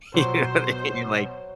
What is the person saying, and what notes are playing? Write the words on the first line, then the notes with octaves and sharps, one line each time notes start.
You know what I mean? Like
B2 F#3 C5